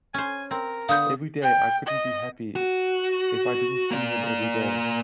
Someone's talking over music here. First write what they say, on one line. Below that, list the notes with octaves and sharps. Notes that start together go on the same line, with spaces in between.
Every day. I couldn't be happy if I didn't see him every day.
C#4 C5 G#5
C4 A#4
D3 B3 F5 D#6 G6
G5
D#5
F#4
A#3 D5